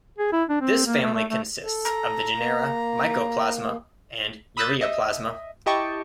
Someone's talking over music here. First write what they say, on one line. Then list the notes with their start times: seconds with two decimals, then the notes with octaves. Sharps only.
This family consists of the genera "Mycoplasma" and "Ureaplasma".
0.18 G#4
0.32 E4
0.49 D4
0.61 C4
0.86 A#3
1.01 A3
1.14 A3
1.30 A3
1.64 A4
1.85 A#5
2.35 A#3
4.57 B5 D#6 E6 F#6 G6 A6
4.81 D#5 E5
5.66 E4 G4 D#5 G5 A5 C#6